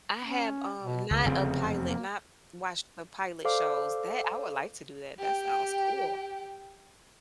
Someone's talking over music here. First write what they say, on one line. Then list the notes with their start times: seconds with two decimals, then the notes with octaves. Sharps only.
I have, um, not a pilot, not watched the pilot shows that I would like to do that. That sounds cool.
0.22 C#4
0.83 B2
1.11 C#2 C#3
1.25 F1 E2 C4
1.85 A#3
3.45 A4 C5 D5 F5 D6
5.19 G4 G5